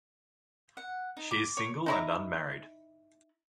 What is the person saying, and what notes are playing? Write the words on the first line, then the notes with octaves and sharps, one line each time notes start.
She is single and unmarried.
F#5
D#4
D6
C#5
D#4 E4 A#5